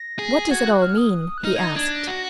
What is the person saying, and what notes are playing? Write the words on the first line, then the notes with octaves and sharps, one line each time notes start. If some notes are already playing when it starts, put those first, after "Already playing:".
"What does it all mean?" he asked.
Already playing: A#6
G#4
F#4 G#6
F#6
F6
D#6
F#6
D#4 F6
G#6
A#6
D4 G#6
A#6
F#4 A#6